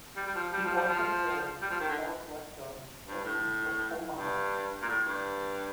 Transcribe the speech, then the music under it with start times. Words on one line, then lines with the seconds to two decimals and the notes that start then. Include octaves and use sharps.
It also serves southwestern sections of Omaha.
0.16 G3
0.27 G3
0.35 F3
0.53 G3
0.64 F3
0.77 G3
0.89 F3
1.61 G3
1.71 F3
1.80 D#3
1.89 D3
3.07 G2
3.25 A2
4.16 G2
4.82 A#2
4.89 A2
5.07 G2